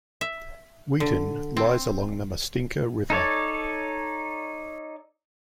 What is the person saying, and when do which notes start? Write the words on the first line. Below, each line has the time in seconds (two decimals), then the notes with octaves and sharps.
Wheaton lies along the Mustinka River.
0.21 E5
1.00 D3
1.57 C4
3.10 D#4 A4 C#5 D5